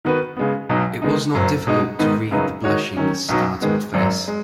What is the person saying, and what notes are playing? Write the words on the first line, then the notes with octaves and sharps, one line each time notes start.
It was not difficult to read the blushing, startled face.
D#3 B3 F#4 B4
C#3 G#3 B3
B1 B2 F#3 D#4
D#3 G#3 B3 D#4
F#1 F#2 F#3
B2 G#3 D#4
G#2 D#3 B3 D#4 B4
F#2 C#3 F#3 D#4 B4
D#3 G#3 D#4 F#4 C#5
D#3 F#3 C#4
B1 B2 F#3 D#4 F#4
G#2 D#3 G#3 B3
G#1 F#2 F#3
G#3